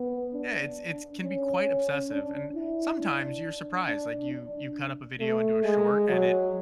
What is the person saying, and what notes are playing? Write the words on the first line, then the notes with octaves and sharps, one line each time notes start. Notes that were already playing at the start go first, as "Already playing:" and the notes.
yeah, it's it's can be quite obsessive, and sometimes you're surprised, like, you you cut up a video into a short, and it
Already playing: B3
D4
C#4
D4
E4
D4
D4
D4
A3
G#3
F#3